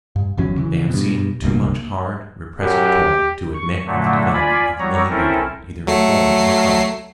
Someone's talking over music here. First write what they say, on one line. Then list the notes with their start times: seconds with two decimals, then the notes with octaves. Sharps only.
They have seen too much hard, repressive toil to admit of the development of lily beauty either in form or color.
0.16 G2
0.37 G1 E2 F#3 C#4
0.58 C#3 E3
0.90 G2 B2
1.42 D1 C2 G2 A#3
2.61 F#2 G4
3.54 C#6
3.86 A#2 D3 F#3 A3
4.33 F4 D5 G#5 B5
4.79 F#3 G3 C#5 A#5
5.10 C4 C#4 E4 A4 A#4
5.87 F#3 A3 C7